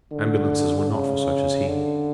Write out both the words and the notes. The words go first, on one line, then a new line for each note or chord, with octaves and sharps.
Ambulances were not for such as he.
D3
C#3
D3